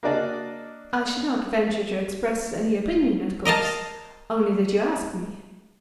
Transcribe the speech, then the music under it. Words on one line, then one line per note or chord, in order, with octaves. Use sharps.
"I should not venture to express any opinion, of course,--only that you ask me."
A#3 D4 F#4 D5 D#5
A#4 D#5 F5 A5